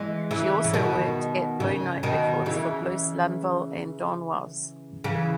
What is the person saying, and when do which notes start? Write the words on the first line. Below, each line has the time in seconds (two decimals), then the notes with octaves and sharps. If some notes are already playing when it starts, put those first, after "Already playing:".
She also worked at Blue Note Records for Bruce Lundvall and Don Was.
Already playing: E3 G#3
0.31 C#3 E3
0.64 C#3
0.74 B2 D#3
1.60 C#3
2.03 B2 D#3
2.46 C#3 E3
5.04 C#3 E3